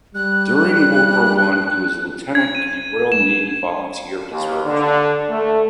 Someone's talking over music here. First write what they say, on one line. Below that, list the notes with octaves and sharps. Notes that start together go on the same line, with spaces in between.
During World War One he was a lieutenant in the Royal Navy Volunteer Reserve.
G3 F#6
G#6
D#7
E7
D#2
D3
A3